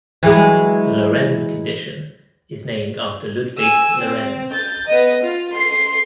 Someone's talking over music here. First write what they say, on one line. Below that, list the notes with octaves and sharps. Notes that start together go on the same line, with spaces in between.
The Lorenz condition is named after Ludvig Lorenz.
E3 F#3 G#3
G#5 E6
C4
G6 A6
B3 D#5
F4
C6 C7